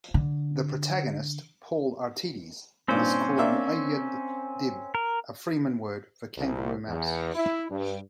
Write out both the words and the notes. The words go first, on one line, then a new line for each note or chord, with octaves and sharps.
The protagonist, Paul Atreides, is called Muad'Dib, a fremen word for kangaroo mouse.
D3
G2 A#2 D#3 C4 C#4 C5
A#3 D4 E5
A#4
C2
E2
E4
G2